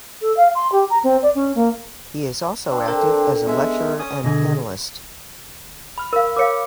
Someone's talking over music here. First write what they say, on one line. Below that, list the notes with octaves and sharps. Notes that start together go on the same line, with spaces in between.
He is also active as a lecturer and panelist.
A4
F5
C6
G4
A#5
C4
D5
C#4
A#3
C4 D4
D3 A#4 G5
G#3 B3 C#4 E5
C#4 G#5 D#6
G#2 B2 D3 D#5 G#5
B5 F6
A#4 F5
A#4 C#5 F5 D6 C#7